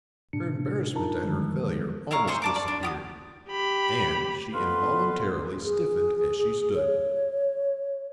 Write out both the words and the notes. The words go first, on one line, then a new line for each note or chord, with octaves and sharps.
Her embarrassment at her failure almost disappeared, and she involuntarily stiffened as she stood.
A2 C3 D4 C#7
D4 D#4 F4 A#4 A5 A#5
D3 D#3 F3 G3 G#3
E4 F5 A#5 C#6
E4 G#4 C5 C#6
D5 A5 D6
D5
D4
B3 D6 D#6
G4 B5
F2 B3 A4 B4 F5 C6
G#4
C#5